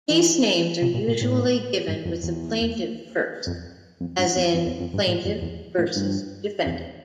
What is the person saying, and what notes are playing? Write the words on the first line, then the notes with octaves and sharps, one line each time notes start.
Case names are usually given with the plaintiff first, as in "Plaintiff versus Defendant".
E3
C3
A#2
A#2
A2
G2
F2
E2
F2
F2
G2
E2
F2
E2
F2
G2
A2
F2
E2
A2
G2
E2